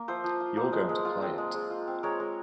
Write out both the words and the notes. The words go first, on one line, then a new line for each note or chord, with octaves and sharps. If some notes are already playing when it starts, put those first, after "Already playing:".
You're going to play it.
Already playing: A#3
F3 C5 E5
F3
F4
A#3
G#3
G#3
F4
C4
G#3
G#3
F4
C4
G#3 A#4 C#5
G#3